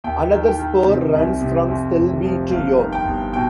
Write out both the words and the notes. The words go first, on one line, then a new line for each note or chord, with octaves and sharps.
Another spur runs from Selby to York.
D#2 G5
D#3
G5
D#3
C3
C2
C3
F2
F1
F3
G1 F5
D#3
G5
G1
B2 G5